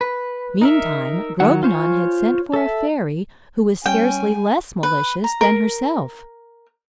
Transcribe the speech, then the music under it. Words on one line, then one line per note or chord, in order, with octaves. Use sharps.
Meantime, Grognon had sent for a fairy, who was scarcely less malicious than herself.
B4
D#4 A#4 E5
D#3 F#3 F#5
F4 C5 C#5 G#5
A4 E5
G3 C#4 G5 G#5
B4
A#5
A#4